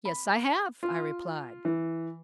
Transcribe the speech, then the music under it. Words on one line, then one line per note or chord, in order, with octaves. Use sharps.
"Yes, I have," I replied.
B5
F4
E3